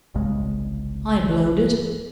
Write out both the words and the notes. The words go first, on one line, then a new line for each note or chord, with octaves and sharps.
"I blowed it."
G1 C2 C#3 G#3